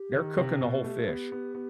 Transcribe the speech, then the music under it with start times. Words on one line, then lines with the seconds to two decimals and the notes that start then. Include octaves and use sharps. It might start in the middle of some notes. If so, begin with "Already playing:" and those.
They're cooking the whole fish.
Already playing: G4
0.14 D#3
0.38 C3
0.61 B2
0.84 A3 G4
0.98 A3
1.08 B3
1.32 B3
1.55 B3